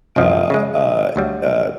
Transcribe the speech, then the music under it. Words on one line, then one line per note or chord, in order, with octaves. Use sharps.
uh, uh, uh
C2 F#2 F3
C#3 G#3
D2 F#3 G3